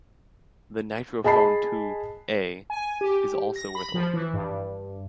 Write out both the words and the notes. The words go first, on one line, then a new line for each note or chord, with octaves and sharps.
The "NitroPhone two a" is also worth a look.
G#4 D#5 A5 B5 C7
G#5
G4
A#6
B5
F3
E3
G2